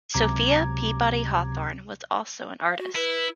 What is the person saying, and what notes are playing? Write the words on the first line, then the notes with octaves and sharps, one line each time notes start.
Sophia Peabody Hawthorne was also an artist.
C#2 C3 F#3 A#5 D6 G#6
F5
F#4
E4 B4